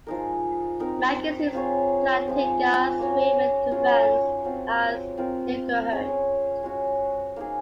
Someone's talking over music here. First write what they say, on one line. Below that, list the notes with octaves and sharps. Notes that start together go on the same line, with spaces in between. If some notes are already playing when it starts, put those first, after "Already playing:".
Mackie sees Plantinga's free-will defense as incoherent.
F3 G#3 D#4 A#4
C4 D#4 A#4
C4 F4 G#4 C#5
F3 G#3 C4
A#3 C#4 F#4 C#5
F#3 C#4 F4 G#4
F#3 C4 F4
C4 F4 A#4
C#4 G#4 C#5
G#3 C#4 F#4
A#3 D#4 G#4